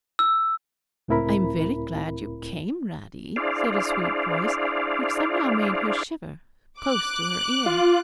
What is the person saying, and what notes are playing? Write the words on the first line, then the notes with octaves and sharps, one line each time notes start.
'I'm very glad you came, Radie,' said a sweet voice, which somehow made her shiver, close to her ear.
E6
C#2 A2 C4 E4 A#4 B5
D4 E4 G#4 C5 D5 F5
D6 F#6
F4